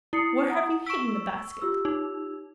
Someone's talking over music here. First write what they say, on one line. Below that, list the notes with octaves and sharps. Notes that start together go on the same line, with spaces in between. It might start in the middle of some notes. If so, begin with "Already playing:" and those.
'Where have you hidden the basket?
E4 D#6 C7 C#7
F#5 A#5 D#6
C#6 E6 B6 D7 E7
F4 G4 E6
D#4